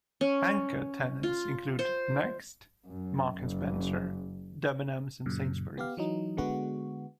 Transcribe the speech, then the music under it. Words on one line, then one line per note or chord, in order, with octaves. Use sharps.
Anchor tenants include Next, Marks and Spencer, Debenhams and Sainsbury's.
C#4
F4
C5
F#2
F#1
F#2 A#2 C#3
B3 G4 F5
E3 F#3 D#4
D3 G#3 B3 F#4